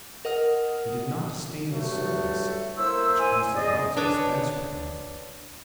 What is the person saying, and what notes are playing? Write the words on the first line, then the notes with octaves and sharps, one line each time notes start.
He did not disdain his servants, which caused his wife to dispense with them.
A#4 D#5 F#5 D#6 F6
G2 F#3 A3
A#3 E4 C5 E6
G#5
C#3 G#4 D5 D#5
D4 B4 C#5